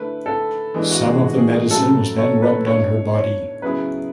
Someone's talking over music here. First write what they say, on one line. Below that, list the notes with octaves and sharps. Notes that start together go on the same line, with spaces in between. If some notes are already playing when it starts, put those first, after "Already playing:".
Some of the medicine was then rubbed on her body.
Already playing: D3 A3 E4 B4
A4
E3 G#3 D4 G#4
F#4
G#4
F#4
G#4
G#4
A2 F#3 A3 C#4 F#4 A4
C#5
B4
B2 A3 D4 C#5
C#5
C#3 F#3 B3 E4 G#4 B4